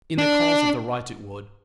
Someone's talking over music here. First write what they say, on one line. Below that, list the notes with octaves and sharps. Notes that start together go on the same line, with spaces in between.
'In the cause of the right it would.
D4